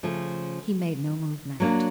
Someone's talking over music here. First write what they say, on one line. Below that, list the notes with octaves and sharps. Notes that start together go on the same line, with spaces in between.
He made no movement.
C#3 F3 A3
F#3 A#3 D4